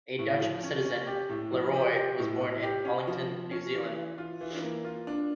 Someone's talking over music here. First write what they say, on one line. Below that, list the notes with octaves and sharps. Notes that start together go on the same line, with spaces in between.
A Dutch citizen, Leroi was born in Wellington, New Zealand.
A2
F3
C#4
C#4
G4
A2
F3
G4
G4
A2
A2
G4
C#4
F3
F3
C#4
E3
E3
F4
E3
A#3
F4
D4